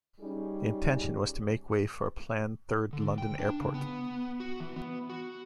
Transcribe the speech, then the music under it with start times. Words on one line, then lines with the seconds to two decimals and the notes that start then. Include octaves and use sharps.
The intention was to make way for a planned third London airport.
0.20 G3 C#4 D#4 G#4
2.93 D3
3.18 G5
3.39 D4
3.61 C#3
3.74 B3
4.40 F#4
4.60 E3
4.76 B3
5.10 F#4